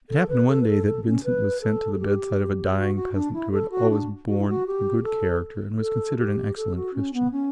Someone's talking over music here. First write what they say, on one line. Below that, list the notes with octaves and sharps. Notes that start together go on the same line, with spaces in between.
It happened one day that Vincent was sent to the bedside of a dying peasant who had always borne a good character and was considered an excellent Christian.
A4
B4
A4
B4
A4
A4
C#4
B4
A4
A4
G4
G4
F#4
F#4
D4
E4
A4
F#4
D4
F#4
E4
F#4
G4
A4
A4
G4
A4
F#4
C#4
B3
C#4